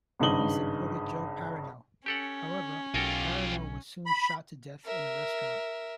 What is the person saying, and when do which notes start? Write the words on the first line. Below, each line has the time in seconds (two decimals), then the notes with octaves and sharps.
He supported Joe Parrino; however, Parrino was soon shot to death in a restaurant.
0.20 G#1 G2 C#3 D#4 F#7 G7
2.06 C#4 G4 A4 F#5
2.94 B1 F4 G4 A4 A#4 G#5
4.06 B5
4.85 A#4 E5